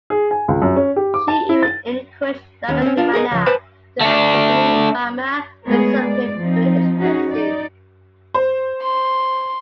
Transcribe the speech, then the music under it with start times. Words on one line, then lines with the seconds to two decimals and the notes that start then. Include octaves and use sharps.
She even encouraged Lakshmana to accompany Rama and serve him during his exile.
0.10 G#4
0.31 G#5
0.48 C#2
0.62 F#2
0.76 C#4
0.96 G4
1.14 D6
1.28 A5
1.49 E4
1.63 A6
2.68 D#2 C#4
2.82 C4 C#4
2.97 D4 F4
3.14 G#4 A#4 C5 D#5
3.32 C#2 F3
3.46 B4 C5 G#5 A5 B5
4.01 A3 D4
5.66 G#3 A3 B3 G#4 A#4 C#5
6.02 G#3 D5
6.39 F3 C4 D#4
6.97 C#4 D#4 F#4 G#4
7.30 D#4 D5
8.34 C5
8.82 C6